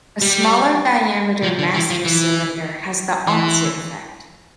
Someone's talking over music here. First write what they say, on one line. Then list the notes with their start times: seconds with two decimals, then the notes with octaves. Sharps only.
A smaller diameter master cylinder has the opposite effect.
0.22 G3
1.43 F3
1.59 D3
1.74 E3
1.90 F3
2.05 E3
3.27 E3